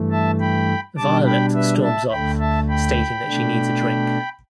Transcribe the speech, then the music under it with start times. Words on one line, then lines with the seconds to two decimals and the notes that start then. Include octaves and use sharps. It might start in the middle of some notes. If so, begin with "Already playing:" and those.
Violet storms off, stating that she needs a drink.
Already playing: G2 E3 A3
0.11 E5 A5
0.40 G5 B5
0.97 B2 G3 D4 A5 D6
1.26 G5 B5
1.54 B4 E5
1.83 E5 A5
2.11 D2 D3 A3 G5 B5
2.39 E5 A5
2.69 G5 B5
3.26 B2 A3 D4